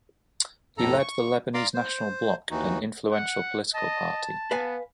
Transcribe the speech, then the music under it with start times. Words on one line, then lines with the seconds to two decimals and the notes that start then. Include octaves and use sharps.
He led the Lebanese National Bloc, an influential political party.
0.78 F2 A2 A4 A#5
0.99 C#6
1.54 D5 F5 A#5 C6 D6
1.74 C5
2.51 D#2 E3 D#4 F#4
3.12 F#5
3.74 D#5 A5
4.51 B3 B4 F5 G#5